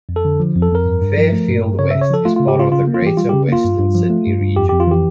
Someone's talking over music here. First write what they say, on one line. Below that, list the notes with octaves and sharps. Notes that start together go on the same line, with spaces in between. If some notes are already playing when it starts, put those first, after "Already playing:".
Fairfield West is part of the Greater Western Sydney region.
F2
A4
D3
F3
F2
A4
F2 A#4
G2
G2
F3
A3
G2
G2
C#3 C#5
C#3 E5
C#5
F3 A4
A3 F4
C#3 F4
G4
C#3 F4
C#3 F4
A#3
F4
E3 G4
G3 F4
C#3 G4
A#3 F4
G2
G2
F3
A3
G2
G2
F2 G4
F2 G4
F4
E3 G4